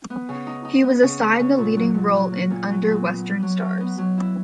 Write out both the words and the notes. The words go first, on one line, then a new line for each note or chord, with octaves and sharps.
He was assigned the leading role in "Under Western Stars".
B3
C#3
D#4
D#4
B3
C#3
B3
C#3
A#2
F#3
A#2
F#3
A#3
A#2
F#3
A#2
B3
B3
F#3
F#3
B3
F#3
E4